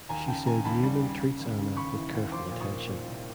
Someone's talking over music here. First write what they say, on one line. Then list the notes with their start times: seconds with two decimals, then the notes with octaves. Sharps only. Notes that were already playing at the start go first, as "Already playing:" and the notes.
She said Newman treats Anna with "careful attention".
0.09 D#2 G#5 A#5
0.27 C#3 G5 A5
0.46 D#2 G#5 A#5
0.64 D#2 A5 B5
0.83 G3
1.02 C#3
1.21 C#3
1.40 D#2
1.58 C#3
1.76 D#2 B5 C#6
1.95 E3
2.14 D#2
2.32 F3 C6 D6
2.51 A#2
2.60 C#6 D#6
2.70 A#3
2.87 A#2
3.06 C2